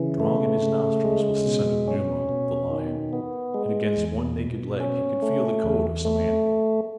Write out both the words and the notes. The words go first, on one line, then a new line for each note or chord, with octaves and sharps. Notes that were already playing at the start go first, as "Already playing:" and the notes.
Strong in his nostrils was the scent of Numa, the lion, and against one naked leg he could feel the coat of some animal.
Already playing: C#3 E3
A3
C#3
G#3
B2
C#4
B2
D#3
B3
G#3
E2
B2
C#4
A3
E2
A3